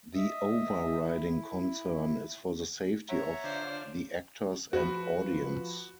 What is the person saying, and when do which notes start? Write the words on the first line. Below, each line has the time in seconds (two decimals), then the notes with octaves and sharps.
The over-riding concern is for the safety of the actors and audience.
0.15 D#5 E5
1.00 E4
3.09 C#5 E5 F#5 A#5
3.44 D3 D4 F4 C5
4.73 F3 F#4 B4